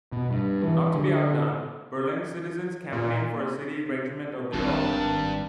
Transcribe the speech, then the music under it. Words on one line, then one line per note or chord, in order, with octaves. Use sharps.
Not to be outdone, Berlin's citizens campaigned for a city regiment of their own.
B2
G2
E3
D3
A#2
G#1 G2 D#3 C4 A5